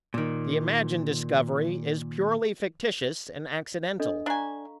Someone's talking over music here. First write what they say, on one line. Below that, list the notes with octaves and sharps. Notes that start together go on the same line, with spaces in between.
The imagined discovery is purely fictitious and accidental.
A#2 D#3
D4 A4 D#5
D4 F5 G#5 A#5 C#6